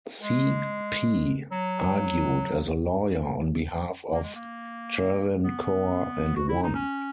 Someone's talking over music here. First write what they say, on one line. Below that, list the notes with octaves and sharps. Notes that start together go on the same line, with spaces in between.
C. P. argued as a lawyer on behalf of Travancore and won.
G#3
F#3
A#3
G#3
A#3
B3
F#4
E4
D#4
C#4